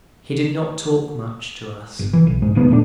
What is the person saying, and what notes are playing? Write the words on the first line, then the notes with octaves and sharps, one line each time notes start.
He did not talk much to us.
G1
E3
B1
A#1 G#2 G#3
E1 D#3 B3
A#2 A3 D4